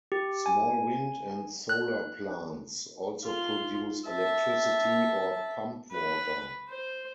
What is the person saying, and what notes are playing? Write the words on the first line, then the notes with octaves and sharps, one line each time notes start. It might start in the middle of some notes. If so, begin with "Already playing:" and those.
Small wind and solar plants also produce electricity or pump water.
G4
G#5
F#6
F4 C6
E5 A5
B4
C5